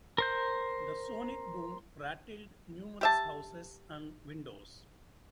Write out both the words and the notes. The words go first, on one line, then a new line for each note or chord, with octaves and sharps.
The sonic boom rattled numerous houses and windows.
A#4 C5 G6
G4 E5 A5